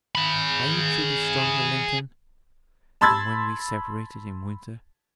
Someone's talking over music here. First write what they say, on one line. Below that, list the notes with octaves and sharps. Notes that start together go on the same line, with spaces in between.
Are you truly stronger, Linton, than when we separated in winter?
G#4 B5
A5 B5 C6 E6 G#6 A6